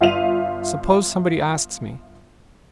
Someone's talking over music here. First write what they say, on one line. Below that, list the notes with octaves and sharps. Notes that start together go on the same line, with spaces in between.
"Suppose somebody asks me?"
G1 F4 E5 F5 D#7 F7